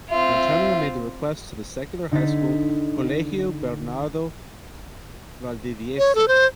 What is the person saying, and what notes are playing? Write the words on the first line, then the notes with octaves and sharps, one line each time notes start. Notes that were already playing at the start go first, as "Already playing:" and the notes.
Antonio made the request to the secular high school Colegio Bernardo Valdivieso.
C4 F4 E5
D3 D#4 G#6 A6 B6
C#5
A4
C5